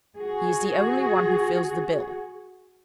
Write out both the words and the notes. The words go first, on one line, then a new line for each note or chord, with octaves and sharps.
He is the only one who fills the bill.
F#4 G#4